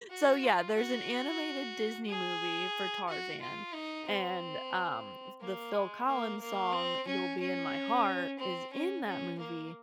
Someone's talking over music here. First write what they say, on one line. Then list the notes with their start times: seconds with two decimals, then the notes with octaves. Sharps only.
So, yeah, there's an animated Disney movie for Tarzan and, um, the Phil Collins song, "You'll Be In My Heart," is in that movie;
0.10 F#4
0.43 F4
0.76 F#4
2.09 G#4
3.08 F#4
3.41 F4
3.74 D#4
4.08 C4
5.41 A#3
5.73 G#3
6.07 A#3
6.41 A#3
6.73 C4
7.07 C#4
7.40 C#4
8.38 C4
8.73 C#4
9.05 C#4
9.39 A#3